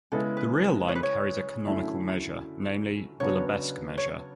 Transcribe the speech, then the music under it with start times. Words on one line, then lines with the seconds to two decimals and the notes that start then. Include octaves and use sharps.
The real line carries a canonical measure, namely the Lebesgue measure.
0.12 C#3 G#3 B3 E4 A4
0.37 B4
0.88 C#5
0.95 B4
1.03 C#5
1.66 F#2 D3 A3 C#4 E4
3.20 C#3 F#3 B3 D4 F#4 C#5
3.98 C#5